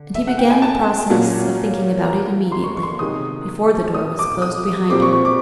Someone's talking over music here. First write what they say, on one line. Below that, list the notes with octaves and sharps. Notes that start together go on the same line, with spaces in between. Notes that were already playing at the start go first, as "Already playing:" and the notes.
And he began the process of thinking about it immediately,--before the door was closed behind her.
Already playing: D3
E5
F#5
G5
G#5
A5
A#2 F#3 A#3 C#4
A#5
C6
C#6
C#6
C6
C#6
C3 D#3 G#3 D#6
D#6
D6
D#6
A#2 G3 C4 D6
C#6
C#6
D6